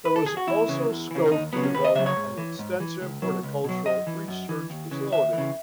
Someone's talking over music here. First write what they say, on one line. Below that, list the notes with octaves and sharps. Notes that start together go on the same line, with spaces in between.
There was also scope to develop an extensive horticultural research facility.
B4
A4
G#4
F#4
E2 E4
C#3 E3
E2
C#3 E3
D#2 D#4
C#3 F#3 B3
C#4
D#2 B4
D#5
C#3 F#3 E5
C#5
G#2
E3
G#2
E3
C#2
B2 F#3
C#2
B2 F#3
F#2 D#5
E3
F#2
E3
D#2
C#3 E3
D#2 E5
C#3 E3